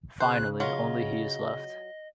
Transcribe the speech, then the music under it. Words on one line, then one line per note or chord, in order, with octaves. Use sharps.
Finally, only he is left.
C#3 C5 F#6
F#3 F4 D#5